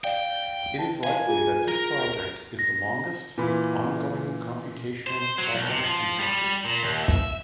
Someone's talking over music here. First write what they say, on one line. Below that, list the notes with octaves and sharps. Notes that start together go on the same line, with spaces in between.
It is likely that this project is the longest, ongoing computational project in history.
D5 F5 G5
A5
F5 G#5
F4 G#4
A#4
A#6
A#2 E3 B5
C5
F#3
B1
C3
F3
G3
A#2
D#2
E5